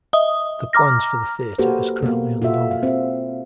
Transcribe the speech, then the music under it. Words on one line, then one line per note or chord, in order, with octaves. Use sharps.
The plans for the theater as currently unknown.
D#5 E5 D#6
A#5 D6 F6 A#6
A#3 F#4 G4 A4 B4 C5
B2 A#3
F4 F#4 A4 E5
F5
C4 E5